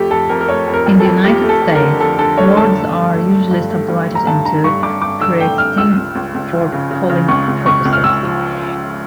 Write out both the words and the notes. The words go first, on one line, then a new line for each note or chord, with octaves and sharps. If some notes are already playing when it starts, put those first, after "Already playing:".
In the United States, wards are usually subdivided into precincts for polling purposes.
Already playing: F2 A3 G4 A4
F2 A4
F2 A#4
A#4
A3 C#5
F2
A#4
F2
A4
F2
F2 G4
A3
A4
F2
A#4
D3
F2 A4
D3 A4
A3 C#5
D3 A5
A3
G2
A3
A3
G2
A3
G2
A3
A#5
G2 A5
D3 A#5
G2 C#6
G2 D6
G2 D6
D3 E6
A3 G5
G2 F6
C#2 E6
C#2
C#2
C#2
F3
C#3
C#3
C#3
C#2 C#6
C#2
C#2 C#6
C#2
F6
C#2 E6
F3